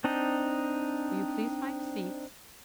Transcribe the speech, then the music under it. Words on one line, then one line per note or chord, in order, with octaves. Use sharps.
Will you please find seats?
C4 D4 D#4 D#5